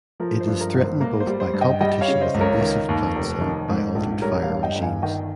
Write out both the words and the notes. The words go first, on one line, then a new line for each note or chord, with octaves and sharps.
It is threatened both by competition with invasive plants and by altered fire regimes.
F3 A#4
C5
G2
A#4
G#1
C5
A#3 A#4
C5
G3
C5
G2
D#5 G5
G3 D#5 G5
C#5 F5
C#3
C5 D#5
C#2
A#4 C#5
D#3
D#2
F1
D#3
G#2
A#1
G3 A#4 C#5
C#5 F5
G2
D#5 G5
G1
F5 G#5
D#3 D#5 G5